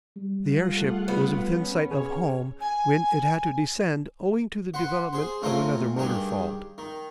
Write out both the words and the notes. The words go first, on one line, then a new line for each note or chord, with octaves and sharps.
The airship was within sight of home when it had to descend owing to the development of another motor fault.
G3
F4 G#4 F#5
A3
B3
C#4
C#4 G#4 C#5
G#5
F#4 B4 C5
G#4 C5
F#2 A3 C4 F4 A#4 G#5
G2 D#3 G4 G#4
D#3